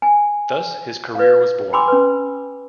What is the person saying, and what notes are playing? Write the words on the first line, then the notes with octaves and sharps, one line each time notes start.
Thus, his career was born.
G#5
B4 F5
G5 G#5 B5 C6 D6 E6
C#4 B4